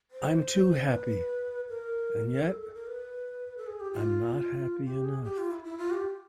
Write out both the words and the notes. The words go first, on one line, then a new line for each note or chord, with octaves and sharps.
I’m too happy; and yet I’m not happy enough.
C5
B4
A#4
A#4
A4
A4
A#4
B4
A4
G#4
G4
F4
G4
G#4
G4
F4
E4
E4
F4
G4